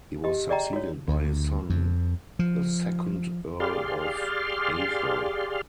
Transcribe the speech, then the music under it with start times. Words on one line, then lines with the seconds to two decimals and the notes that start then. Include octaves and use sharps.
He was succeeded by his son, the second Earl of Atholl.
0.24 G4 D#5
0.49 G#4 D5 D#5 G5 A#5
0.73 F#4 C#5
1.08 D2
1.70 F2
2.39 F3
3.60 G4 G#4 D5 F5 C6 F6